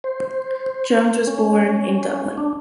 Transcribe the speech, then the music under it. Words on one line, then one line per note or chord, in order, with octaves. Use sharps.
Jones was born in Dublin.
C5
C#4
D4